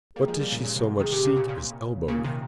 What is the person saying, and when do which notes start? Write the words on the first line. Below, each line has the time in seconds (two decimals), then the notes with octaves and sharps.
What does she so much seek as elbowroom?
0.16 G3 A#3 G#4
0.28 F3 G#3
0.40 G3 A#3
0.52 A#2 C#3
0.64 A#2 C#3
0.76 C3
1.00 C3 D#3 G#4
1.12 A#2 C#3 G4
1.25 C3
1.36 A#2 C#3
1.48 A#2 C#3
2.08 A#2 C#3 A#3
2.24 C3 D#3